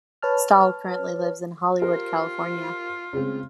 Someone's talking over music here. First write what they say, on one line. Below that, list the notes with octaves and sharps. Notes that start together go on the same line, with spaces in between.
Stahl currently lives in Hollywood, California.
B4 C#5 A5 F6
F4 G4 A#4 C5
C#3 G#3 C4